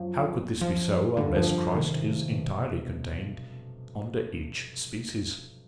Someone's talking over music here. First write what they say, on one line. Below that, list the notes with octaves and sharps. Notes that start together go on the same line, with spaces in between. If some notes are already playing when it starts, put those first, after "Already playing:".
How could this be so, unless Christ is entirely contained under each species?
Already playing: F#2 F3 F#3
F3
G2 D3 G3
F2 F3
C3 D#3
B2